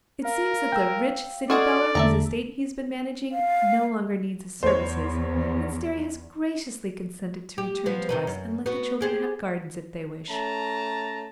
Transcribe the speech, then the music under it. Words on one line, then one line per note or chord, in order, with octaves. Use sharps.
It seems that the "rich city feller" whose estate he has been managing no longer needs his services; and Sterry has graciously consented to return to us and let the children have gardens if they wish.
A#4 F5
G5 E6
F#4 G#4 A4 D5 D#5 C6 F6
E2 D3 A3 E5 A5 A#5
F5
E2 C5 C#5
G4
F3 B3
C3 D#3 B4
F#2
B3 F#4
G4 G#4 C5
A3 C#4 A5 A#5